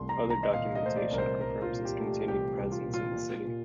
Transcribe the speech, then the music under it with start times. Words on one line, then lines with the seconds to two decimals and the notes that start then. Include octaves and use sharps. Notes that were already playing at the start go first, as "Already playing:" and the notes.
Other documentation confirms his continued presence in the city.
Already playing: C2 A3 C6
0.09 A#5
0.23 C2
0.30 A#5
0.43 D#5
0.53 A#2 F5
0.75 D#5
0.82 A3 C5
0.97 D5
1.11 C2 A#4
1.18 C5
1.40 C2 A#4
1.62 F4
1.70 A#2
1.85 G4
2.00 A3
2.07 G4
2.28 C2 G4
2.57 C2
2.72 F4
2.86 A#2
2.94 F4
3.16 A#2
3.45 A#2